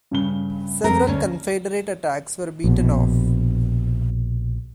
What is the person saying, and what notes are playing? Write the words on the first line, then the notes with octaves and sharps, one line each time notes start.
Several Confederate attacks were beaten off.
G2 C#3 G7
F2 C4 A#4
D2 C#4
A#1 B2